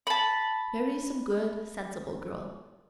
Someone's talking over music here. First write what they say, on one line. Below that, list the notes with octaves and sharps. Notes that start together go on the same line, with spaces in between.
Marry some good, sensible girl.
A5 B5